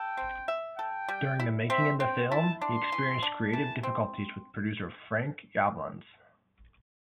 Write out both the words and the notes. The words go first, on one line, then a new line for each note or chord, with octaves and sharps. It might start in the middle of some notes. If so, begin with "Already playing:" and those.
During the making of the film, he experienced creative difficulties with producer Frank Yablans.
Already playing: A4 G5
C4
E5
A4 G5
G3
E4
C4 E5
C4 G5
E4 A5
D4 C6
E3
D4
E3 A5
C4